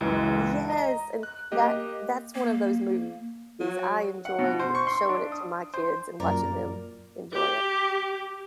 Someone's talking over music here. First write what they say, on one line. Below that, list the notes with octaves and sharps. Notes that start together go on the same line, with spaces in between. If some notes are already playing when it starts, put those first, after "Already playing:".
yes, and that that's one of those movies I enjoyed showing it to my kids and watching them enjoy it.
C#2 F#2 E3 G#3
D#5 A#5
F#6
A#3 G4 D#5
A#3
F#3
F#5
B2
C5
C#6
C6
D4
D#6
C5
F#2 A#2 A#4 D5
G4